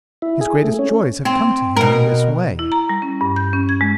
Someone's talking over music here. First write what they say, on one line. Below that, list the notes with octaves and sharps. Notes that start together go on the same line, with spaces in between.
His greatest joys have come to him in this way.
E4
G#4
A3
C#4
C4
B2 A#4
E4
A#5
G3
C#4
G2
G6
C#4
G#6
G#3